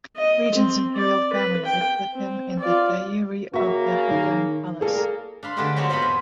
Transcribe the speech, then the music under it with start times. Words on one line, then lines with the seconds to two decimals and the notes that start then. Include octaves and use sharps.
Regien's Imperial family lived with him in the Dairi of the Heian Palace.
0.17 D#5
0.55 C4
0.95 D5
1.33 B4
1.65 G5
2.14 C4
2.60 F4 D5
3.54 C#3 A#3 F#4 E5
4.11 D#3
4.81 A2 G3 A#3 G#4 A4
5.43 D4 F5 B5 C6
5.57 D3 G#3 A3 G4 B4 D5
5.76 F3 F#3 A3 C4 D#4 G4
5.89 G#2 F3 B3 C5 D#5 B5
6.02 E2